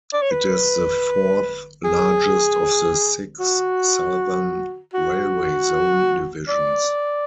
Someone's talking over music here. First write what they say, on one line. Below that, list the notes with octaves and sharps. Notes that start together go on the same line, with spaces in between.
It is the fourth-largest of the six Southern Railway zone divisions.
D5
C#5
B4
G#4
F#4
F#4
D5